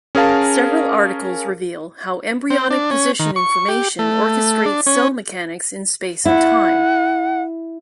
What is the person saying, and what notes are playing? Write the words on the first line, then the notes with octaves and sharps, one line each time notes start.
Several articles reveal how embryonic position information orchestrates cell mechanics in space and time.
C#4 G#4 A#4 F5 A5
C4
D4
C#4
D#3
C#6
G4
A3
D4
C#4
E4 F#5